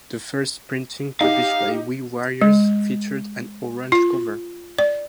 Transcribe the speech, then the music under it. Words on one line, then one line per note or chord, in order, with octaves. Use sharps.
The first printing published by Wee Warriors featured an orange cover.
D#4 G4 F5
G#3
F4
D5